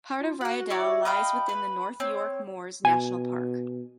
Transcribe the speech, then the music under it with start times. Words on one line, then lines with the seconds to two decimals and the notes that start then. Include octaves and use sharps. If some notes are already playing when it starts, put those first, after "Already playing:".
Part of Ryedale lies within the North York Moors National Park.
0.20 F4
0.41 F#4 F#5 F#6
0.70 E4 C#5 D5
1.05 D#5 F5 G5 B5
1.49 B4
2.00 C4 C#5
2.85 B2 G#5